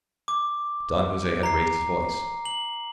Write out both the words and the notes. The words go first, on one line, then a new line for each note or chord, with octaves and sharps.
Don Jose had raised his voice.
D6
A#5 C7
F#7